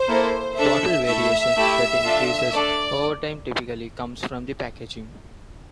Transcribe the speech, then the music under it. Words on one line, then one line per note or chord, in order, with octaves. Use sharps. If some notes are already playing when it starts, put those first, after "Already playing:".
Bottle variation that increases over time typically comes from the packaging.
Already playing: C5
A#3 E4 A4
D4 A4 E5
A3 E4 A4 E5
A3 E4 G4
D4 F4 A4
A3 D4 A4 D5